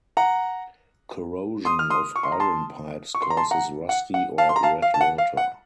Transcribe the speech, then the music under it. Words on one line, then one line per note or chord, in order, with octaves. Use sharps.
Corrosion of iron pipes causes rusty or red water.
F#5 A#5
C6 D#6
F6
C6 D#6
C#6
C6
A#5
A5 C6
C#6
C6
A#5
A5 C6
F#5 A#5
F#5
F#5
F5 A5
C6
A#5
F5 A5
F5
A5
F#5
F5
F#5